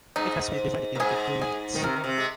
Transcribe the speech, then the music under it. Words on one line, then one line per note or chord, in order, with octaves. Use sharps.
It has been divided into two units.
G#2 D#4
A#2
G#2 G#4
G#4
D#3
C3 A#4
D#3
C3
G#3